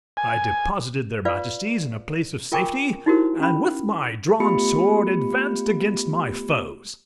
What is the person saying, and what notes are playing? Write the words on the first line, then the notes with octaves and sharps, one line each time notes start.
I deposited their Majesties in a place of safety, and with my drawn sword advanced against my foes.
G#5
F4 B4 D5 F5
F4 A#4 G5 G#5 C#6 D6
D#4 E4 F#4 G4 A#4 C5
C#4 B5
A3 B3 F4 G4 B5 C#7